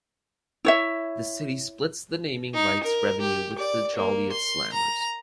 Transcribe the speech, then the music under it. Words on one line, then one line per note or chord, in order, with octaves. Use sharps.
The city splits the naming rights revenue with the Joliet Slammers.
E4 C#5 E5
D#4
A#4
G4
D5
A#3
C6
A#5